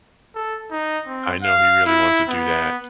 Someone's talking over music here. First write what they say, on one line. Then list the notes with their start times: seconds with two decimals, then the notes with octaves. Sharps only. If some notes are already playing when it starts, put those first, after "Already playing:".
I know he really wants to do that,
0.35 A4
0.71 D#4
1.07 C4
1.42 F5
1.86 E4
2.29 B3